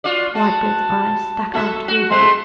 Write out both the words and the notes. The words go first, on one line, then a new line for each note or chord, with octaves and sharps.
Whitebird's eyes stuck out greedily.
F4 F#4 D5
F#4 A5
F#4 A4 E5
F#4
G#3 A3 C4 C6